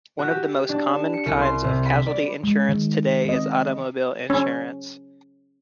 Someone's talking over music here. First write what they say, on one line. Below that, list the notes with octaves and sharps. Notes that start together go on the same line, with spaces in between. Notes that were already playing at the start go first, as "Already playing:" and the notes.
One of the most common kinds of casualty insurance today is automobile insurance.
F#4
G4
D4
E7
C#7
C2
C6
C3
B5
D5
G#3
D#3
C4 D#5
C#4